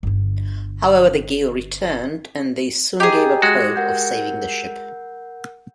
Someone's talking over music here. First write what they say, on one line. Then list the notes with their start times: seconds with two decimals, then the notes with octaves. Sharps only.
However the gale returned and they soon gave up hope of saving the ship.
0.03 G1 D3
3.00 G4 G#4 D#5 A#5
3.42 G#3 F#4
3.76 A#4 F#5 G6